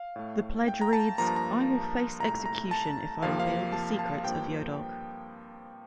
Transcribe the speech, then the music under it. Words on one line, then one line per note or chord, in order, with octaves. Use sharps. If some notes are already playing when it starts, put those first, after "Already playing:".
The pledge reads: I will face execution if I reveal the secrets of Yodok.
Already playing: F5
A2 A3
G5
A#5
A5
G2 F3 A#3 A#5
A5
A#5
C2 A#2 A3 A#5
A#5
A5
F2 C3 F3 A#3 F5
F5
A5
A5
G2 F3 A#3 G5